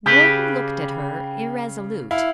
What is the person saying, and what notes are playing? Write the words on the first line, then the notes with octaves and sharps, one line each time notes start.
Wharton looked at her irresolute.
C#3 G4 B4 G6
E4 F5